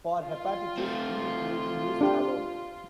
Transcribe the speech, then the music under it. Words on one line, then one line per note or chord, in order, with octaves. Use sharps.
For hepatitis B it may be used alone.
F4
A3 C4
D4 G4